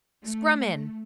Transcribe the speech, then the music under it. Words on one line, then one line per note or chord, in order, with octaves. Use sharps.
Scrum in.
A3